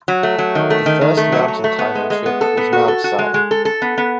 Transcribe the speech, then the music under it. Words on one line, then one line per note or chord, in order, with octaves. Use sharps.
The first mountain climbing trip was Mount Si.
F#3
A3
F#3
D#3
A3
D#3
D#3
A3
F#3
F#3
A3
B3
G#3
G#3
B3
A4
B3
F#4
A4
F#4
G#3
G#3
A4
A4
B3
B3